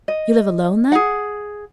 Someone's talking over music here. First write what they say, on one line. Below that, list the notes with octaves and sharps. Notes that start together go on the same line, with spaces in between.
"You live alone, then?"
D#5
G#4 F#5